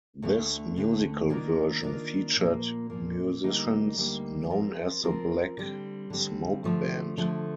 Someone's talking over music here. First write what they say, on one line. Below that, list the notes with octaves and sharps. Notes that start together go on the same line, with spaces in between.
This musical version featured musicians known as the Black Smoke Band.
D2 D3 A3
D2 D3 A3
D#3 A#3 D4 F4 A#4
D#3 A#3 D4 F4 A#4
A#2 F3 A#3
A#2 F3 A#3
D2 D3 G3 A#3 D#4
D2 D3 G3 A#3 D#4
F3 C4 F4 A#4
F3 C4 F4 A#4
D3 G3 C4
D3 G3 C4
D3 F3 A3
D3 F3 A3